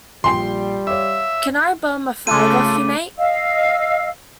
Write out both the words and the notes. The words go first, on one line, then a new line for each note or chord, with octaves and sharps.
Can I bum a fag off you, mate?
A#1 G3 G5 C6 C7
C#5 E5 F5 D6
C#3 A3 F4 A4 D6 D#7
D#5 F5 E6